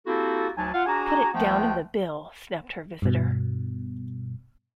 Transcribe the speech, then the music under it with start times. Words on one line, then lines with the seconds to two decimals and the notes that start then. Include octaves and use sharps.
"Put it down in the bill," snapped her visitor.
0.07 A#3 C4 E4 F#4 G4 A4
0.57 D2 F#3 D#4 G#5 A5
0.74 F4 F5 F#5
0.86 D4 F#4 G#4 G#5 A#5
1.34 C#2 F3 A3 B3 G5 A5
3.02 G2 B2